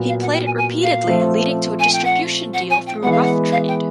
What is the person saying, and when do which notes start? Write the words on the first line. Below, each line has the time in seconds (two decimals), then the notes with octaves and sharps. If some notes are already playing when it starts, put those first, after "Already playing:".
He played it repeatedly leading to a distribution deal through Rough Trade.
Already playing: A#2 F#3 B3
0.08 F5
0.21 F#5
0.33 G5
0.46 G#5
0.58 G#5
0.83 F5
1.07 F3 A3 C4
1.79 G#5
1.93 G5
2.05 F#5
2.54 F#5
2.70 G#5
2.87 G5
3.03 E3 G#3 B3 F#5
3.11 F5
3.21 F#5
3.52 F5
3.68 G5